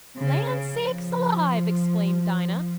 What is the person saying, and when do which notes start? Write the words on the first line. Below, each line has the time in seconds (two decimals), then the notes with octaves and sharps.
"Land sakes alive!" exclaimed Dinah.
0.16 C#3
0.74 F3